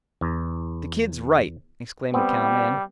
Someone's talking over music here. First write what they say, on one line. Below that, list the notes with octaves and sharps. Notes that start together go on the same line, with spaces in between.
"The kid's right," exclaimed a cowman.
E2
G3 B3 C4